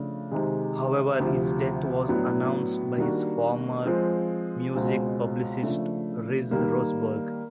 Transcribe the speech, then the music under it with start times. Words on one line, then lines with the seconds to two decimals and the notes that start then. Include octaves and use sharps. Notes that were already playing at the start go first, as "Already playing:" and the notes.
However his death was announced by his former music publicist Liz Roseberg.
Already playing: C#3 F3 A3 D4
0.31 C3 D#3 G#3
1.20 D2 C3 F3
2.08 A2 F#3 B3 D4
2.97 D#3 G3 A#3 D4 F#4
3.85 F3 G#3 C4
4.74 C#2 B2 G#3 C4
5.63 C#3 F3 A3 D4
6.51 D#3 G3 A#3